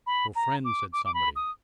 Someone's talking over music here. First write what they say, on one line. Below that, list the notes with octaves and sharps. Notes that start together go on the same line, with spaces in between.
"Your friend," said somebody.
B5
A#5
D6
D6
D6
B5
D#6